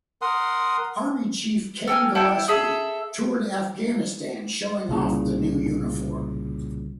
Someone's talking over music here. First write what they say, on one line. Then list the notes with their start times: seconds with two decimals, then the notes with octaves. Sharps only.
Army chief Ken Gillespie toured Afghanistan showing off the new uniform.
0.22 A#4 F#5 C6 D#6
1.87 A4 G5 G#5 F6
2.15 E4 F#5 G5 A5
2.48 G#4 A4 E5
4.89 C2 A#2 C#3